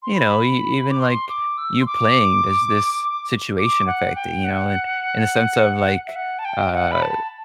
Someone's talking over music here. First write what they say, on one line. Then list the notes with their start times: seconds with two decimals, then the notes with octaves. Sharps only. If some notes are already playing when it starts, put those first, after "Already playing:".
you know, e even, like, you playing, does this situation affect it, you know, and in a sense of, like, uh,
0.03 C6
0.14 B5
0.90 D6
1.00 C6
1.29 D6
1.58 E6
1.81 C6
1.86 D6
3.58 D6
3.87 F#5
4.15 G5
4.44 F#5
6.07 E5
6.16 F#5
6.39 A5
6.45 G5
6.73 F#5
6.91 B5
7.02 A5